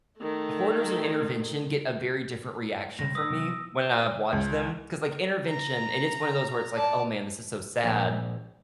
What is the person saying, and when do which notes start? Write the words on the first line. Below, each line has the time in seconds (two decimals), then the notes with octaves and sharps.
Hoarders and Intervention get a very different reaction from me when I've watched them, 'cause, like, Intervention, it is one of those where it's, like, "Oh, man, this is so sad,"
0.18 D#3 A3
2.99 A2 C3 G3 A#6
3.15 A2 B4 D#6 E6
3.30 C3 F#3 B3
4.33 C#2
5.48 A#5
6.76 D5 A5
7.84 A#1